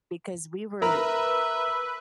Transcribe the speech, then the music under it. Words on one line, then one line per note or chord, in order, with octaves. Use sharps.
"because we were
A#4 B4 E5 A#5 B5